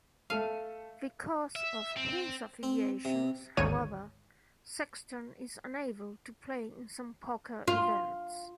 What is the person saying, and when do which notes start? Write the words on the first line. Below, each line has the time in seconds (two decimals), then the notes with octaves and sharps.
Because of his affiliations, however, Sexton is unable to play in some poker events.
0.30 A3 A4 F5 D#7
1.55 E5
1.97 C4
2.63 C4
3.05 C3
3.57 G#1 D2 C#5 D#7
7.68 F4